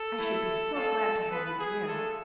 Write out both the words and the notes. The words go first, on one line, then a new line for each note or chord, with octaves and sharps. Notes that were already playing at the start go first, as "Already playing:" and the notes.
I should be so glad to have you dance.
Already playing: A4
A3 E4
G#3 C4 F4 A4
B3 F4 B4
G#4
A3 D4 F4 A4